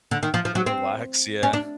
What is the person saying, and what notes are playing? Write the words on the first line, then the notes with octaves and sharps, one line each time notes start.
Relax, yeah.
D3
D#3
F3
F3
F#3
C4
C#4
D4